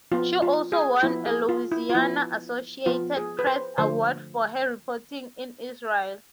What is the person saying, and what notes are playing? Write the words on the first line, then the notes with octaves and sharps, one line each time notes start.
She also won a Louisiana Associated Press Award for her reporting in Israel.
F3 B3 F4
F4
G#4
F3 B3 E4
G#4
F4
E4
F4
F3 B3 E4
F3 B3 F4
G#4
B4
C5
D3 F3 A3 C5